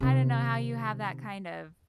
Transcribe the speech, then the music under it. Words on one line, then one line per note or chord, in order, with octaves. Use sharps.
I don't know how you have that kind of
C3 D#3